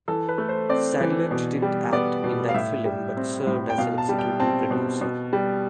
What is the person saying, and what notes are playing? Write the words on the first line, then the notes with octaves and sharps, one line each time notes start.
Sandler didn't act in that film but served as an executive producer.
E3 A4
B4
A3
C5
C4 D5
E3
B2
G3
B3 D5
B2
F5
A2 E5
G3
C4
A2
G5
B2 F5
A5
G3
G5
C4 A5
B2
B2
G3